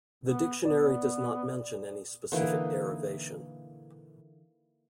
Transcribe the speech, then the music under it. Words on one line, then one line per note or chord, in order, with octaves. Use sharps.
The dictionary does not mention any specific derivation.
B3
B3 D5
D3 E3 A#3 D#4